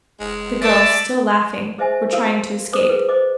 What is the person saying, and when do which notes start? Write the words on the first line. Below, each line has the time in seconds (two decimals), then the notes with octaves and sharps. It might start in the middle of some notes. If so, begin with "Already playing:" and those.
The girls, still laughing, were trying to escape.
0.20 F1 G#3
0.62 A3 D5 E5 A5
1.78 G#4 C5 D#5 E5 G#5
2.13 F#4 A4 A#4 C#5 F5
2.39 C6
2.73 C5 D6 D#6
2.89 G#4 B4
3.09 C5 D#5 D6